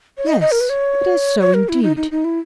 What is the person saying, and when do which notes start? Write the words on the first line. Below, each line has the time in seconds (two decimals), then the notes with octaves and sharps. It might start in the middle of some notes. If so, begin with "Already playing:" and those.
'Yes; it is so, indeed.
0.18 C#5
0.27 D#5
0.41 D#5
0.52 A#4
0.61 B4
0.69 C#5
1.40 C#5
1.54 A#4
1.69 E4
1.83 D#4
1.97 D#4
2.11 D#4
2.25 E4